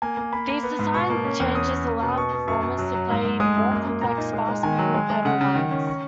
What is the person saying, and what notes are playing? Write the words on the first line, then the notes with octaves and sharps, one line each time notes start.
These design changes allowed performers to play more complex, fast-moving pedal lines.
A#3 G#5
A#3
A#3 B5
A#3
B3
G#2
B2 C#6
A#3
C#4
E2
C#4 D#6
C#4
A#3
B2
D#6
B2 C#6
B2
F#2 C#6
F#2
F#3
F#3
G#2
G#2
G#3 D#6
F#2
A#3
A#3
A#2 A#5
D#4
G#3
G#3
D#3 G#5
F#3
G#3
G#3
C#3 F#5
C#3
D#3
C#4
C#6